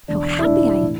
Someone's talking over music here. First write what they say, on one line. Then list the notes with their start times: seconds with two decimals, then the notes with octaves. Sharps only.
How happy I am!
0.08 E1 E2 D3 D4
0.39 E4
0.45 E1 E2 D3 D4
0.82 A2 E3